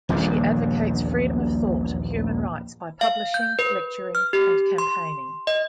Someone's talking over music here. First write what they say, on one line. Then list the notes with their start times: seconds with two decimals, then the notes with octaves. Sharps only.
She advocates freedom of thought and human rights by publishing, lecturing, and campaigning.
0.09 D#1 A#1 E2 G2
3.01 F5
3.34 G6
3.59 B4
4.15 F6
4.33 G4
4.78 C6
5.47 D#5